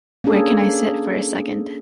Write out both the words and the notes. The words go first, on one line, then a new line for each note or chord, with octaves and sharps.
Where can I sit for a second?
A#3 C#4 D4 G#4 A4